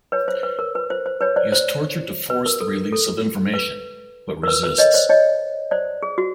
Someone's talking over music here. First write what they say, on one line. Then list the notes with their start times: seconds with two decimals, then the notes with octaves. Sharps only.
He is tortured to force the release of information, but resists.
0.12 B4 C#5
0.28 C5
0.43 B4
0.59 A#4
0.75 B4
0.90 C5
1.06 C5
1.21 B4 C#5
1.36 C5 D5
1.52 C5
2.30 B4
2.46 A#4
2.61 A4
2.93 A4
3.54 B4
4.43 A#4
4.48 B4
4.63 B4
4.78 C#5 D#5
4.94 C5 D5
5.09 C#5 D#5
5.71 C5 D5
6.03 G#4
6.18 F#4